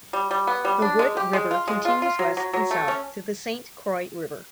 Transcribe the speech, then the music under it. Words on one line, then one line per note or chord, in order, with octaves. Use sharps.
The Wood River continues west and south to the Saint Croix River.
G3
G3
B3
G3
D4
G#3
G4
G#3
F4
G#3
F4
F4
F#3
F#3
F#3
A3
C#4